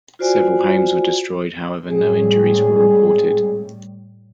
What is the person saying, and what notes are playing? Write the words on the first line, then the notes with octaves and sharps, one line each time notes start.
Several homes were destroyed, however no injuries were reported.
F4 F#4 C5 D5 G#5
A2 G3 G#3 C4 G#4